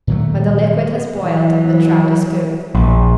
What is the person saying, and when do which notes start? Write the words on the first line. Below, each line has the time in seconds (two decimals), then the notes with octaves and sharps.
When the liquid has boiled the trout is cooked.
0.07 A#2 D#3 F#3 A3
1.20 E3 F#3
2.75 A#1